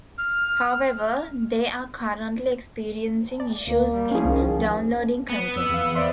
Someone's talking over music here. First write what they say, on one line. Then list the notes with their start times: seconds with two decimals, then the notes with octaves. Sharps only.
However, they are currently experiencing issues in downloading content.
0.18 F6
3.40 D5
3.67 D2 A#3
3.92 G3
4.11 F3 C#4 E4 G#4 F5
4.25 C2 D#3
5.29 B3
5.56 F2 E6
5.70 E2 F5
5.95 C5 D5 E5 C6